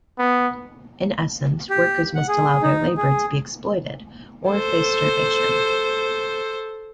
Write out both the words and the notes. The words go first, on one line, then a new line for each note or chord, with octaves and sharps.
In essence, workers must allow their labor to be exploited or face starvation.
B3
G4
F#5
G#4
D#4
G#4
A4 C5